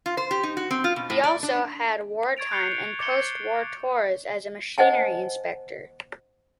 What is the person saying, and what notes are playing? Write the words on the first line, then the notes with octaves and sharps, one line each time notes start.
He also had wartime and post-war tours as a machinery inspector.
F4
C5
G4
D#4
F#4
C4
F4
B2
A2
D5
D4
C#6 G#6 A6 D7 F7
F#6 G6 C7 C#7 F7 G7
D7
D6 A6 C#7 G7
C5 D#5 F#5 G#5 A5